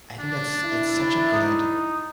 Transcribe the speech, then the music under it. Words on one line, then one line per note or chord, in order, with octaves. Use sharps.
I think that's It's such a good
D4
E4
D#4